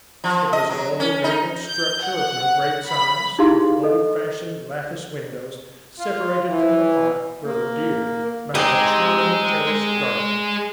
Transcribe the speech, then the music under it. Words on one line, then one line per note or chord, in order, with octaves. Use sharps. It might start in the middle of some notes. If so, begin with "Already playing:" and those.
It was a low, gabled structure of no great size, with old-fashioned lattice windows, separated from the park, where were deer, by a charming terraced garden.
F3
D#5
F#3
C#4
D#4
G6
F#5
B5
D#4 E4 G4 G#4 F5 C6
A4 D#5
F4
E3
A#3
C4 D#4 G4 G#4 D#5